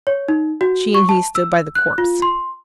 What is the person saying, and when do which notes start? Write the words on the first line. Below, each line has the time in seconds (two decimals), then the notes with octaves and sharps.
She and he stood by the corpse.
0.07 C#5
0.28 D#4
0.61 F#4
0.94 C#6
1.09 A5
1.35 E6
1.75 F#6
1.98 F4
2.22 C6